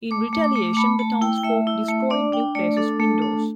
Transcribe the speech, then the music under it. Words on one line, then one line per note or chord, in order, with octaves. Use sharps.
In retaliation, the townsfolk destroyed New Place's windows.
A3 D6
A3
D6
A3
D6
A3 B5
A3 A5
E4 G5
G5
A3 E5
E4
A3
D4 D5
D4 G5
A3 D5
D4 A4
A3
D4